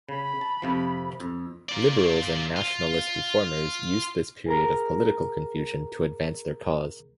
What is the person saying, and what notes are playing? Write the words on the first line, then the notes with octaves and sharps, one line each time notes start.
Liberals and nationalist reformers used this period of political confusion to advance their cause.
C#3 B5
A5
F2 C3 F3
F2
F4 D5
F4
G#4 A#4 A#5